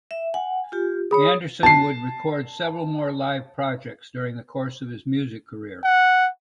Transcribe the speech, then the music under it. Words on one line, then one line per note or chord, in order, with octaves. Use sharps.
Anderson would record several more live projects during the course of his music career.
E5
F#5 G#5
F4 G4
G#4 C#5 B5 D#6
A5 C7
F#5